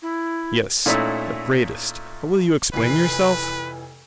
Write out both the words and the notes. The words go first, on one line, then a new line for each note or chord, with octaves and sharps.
Yes, the greatest; but will you explain yourself?
E4
A#2 A3 C#4 D#4 E4 A4
F1 E3 B4 C7